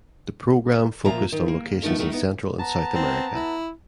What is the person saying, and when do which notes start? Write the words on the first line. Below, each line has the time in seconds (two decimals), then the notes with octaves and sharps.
The program focused on locations in Central and South America.
1.05 A#2 F3 F4 E5 A#5
1.32 D#3
1.48 A#3
1.82 D3 D#3 F3 A3 B3
1.98 D#3 G3 A3 D4 D#4
2.10 B3 D#4 E4
2.59 B3 A5 A#5
2.95 C4
3.35 E4